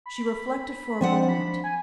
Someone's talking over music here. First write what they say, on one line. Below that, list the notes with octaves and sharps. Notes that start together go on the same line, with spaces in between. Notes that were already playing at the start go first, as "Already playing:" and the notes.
She reflected for a moment.
B5
F3 C4 D4 F#5
B5
G#5